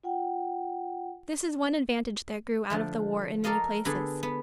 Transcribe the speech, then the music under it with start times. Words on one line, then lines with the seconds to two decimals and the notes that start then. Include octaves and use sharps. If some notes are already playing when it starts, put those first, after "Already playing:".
This is one advantage that grew out of the war in many places.
0.04 F4 F#5 G5
2.70 D3 F3 A3
3.44 A4 A#4 D5 D#5 F5
3.85 D3 B3 G#4 A4
4.23 B3